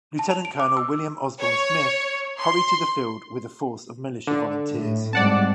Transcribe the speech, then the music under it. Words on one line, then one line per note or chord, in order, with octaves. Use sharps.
Lieutenant-Colonel William Osborne Smith hurried to the field with a force of militia volunteers.
A5
F7
D7
D6
E6
C#5
C6
D3
A2
G#2 G3 C4 D5 F#5 A5